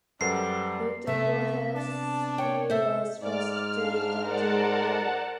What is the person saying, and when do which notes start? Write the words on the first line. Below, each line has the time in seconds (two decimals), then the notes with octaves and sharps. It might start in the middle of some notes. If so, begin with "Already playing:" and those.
Due to poor health he was forced to return to Boma.
0.21 F#2 G3 A4 B4 C5 F#5 C7
1.07 C3 A3 B3 E5
1.75 D4 A5
2.38 C#5 G5
2.70 A4 C5 E5
3.21 G#2 D5 F6
3.77 D4 F5
4.23 A#4 C5 D5 F#5 A5